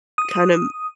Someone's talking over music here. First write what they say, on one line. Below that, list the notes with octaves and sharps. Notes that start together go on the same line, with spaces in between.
kinda m
D#6